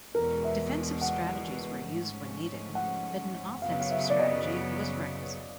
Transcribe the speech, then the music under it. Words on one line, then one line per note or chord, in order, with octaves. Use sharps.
Defensive strategies were used when needed, but an offensive strategy was requisite.
E2 B2 G#3 A#4
E5
F#5
G#2 F3 A3 C#4
F#5
F#2 C#3 F#3 B3 F5
F5
E5
D5
D#5